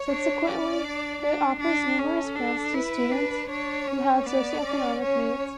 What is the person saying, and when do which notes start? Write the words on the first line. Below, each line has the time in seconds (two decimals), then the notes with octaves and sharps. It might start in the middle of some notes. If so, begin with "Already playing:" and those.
Subsequently, it offers numerous grants to students who have socio-economic needs.
Already playing: C#5
0.09 D4
0.46 C#4 D5
0.84 D4
1.22 D4
1.60 D4
1.98 C#4 A4
2.36 D4
2.74 E4 B4
3.12 D4
3.50 D4 C#5
3.88 C#4
4.25 B3 D5
4.64 C#4
5.02 C#4 C#5